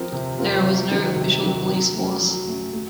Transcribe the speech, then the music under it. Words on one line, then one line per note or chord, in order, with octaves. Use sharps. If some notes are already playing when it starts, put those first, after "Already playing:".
There was no official police force.
Already playing: F3 C4 F4 A#4
C3
F3 C4 F4 A#4
C3
D#3 F#3 C4 F#4
C3
D#3 F#3 C4 F#4
F#3
A3 C#4
F#3
A3 C#4
A3